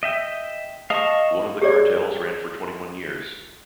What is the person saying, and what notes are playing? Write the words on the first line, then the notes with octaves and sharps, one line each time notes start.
One of the cartels ran for twenty-one years.
D#5 E5 G5
D#5 F5 A5 C#6
G4 G#4 C#5 D5